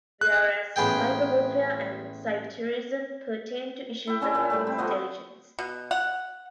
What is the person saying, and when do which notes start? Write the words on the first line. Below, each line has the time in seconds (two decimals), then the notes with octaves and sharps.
Whereas cyber-warfare and cyber-terrorism, pertain to issues of extelligence.
0.21 F#6
0.76 A1 B3 G#4 G5
4.07 E4 G5
4.21 C#4 D4 E4 C#5
4.35 A#2 D4
4.50 A2 G3 A3
4.67 C4
4.78 F3 A3 B3 D#5
5.59 B2
5.91 F#5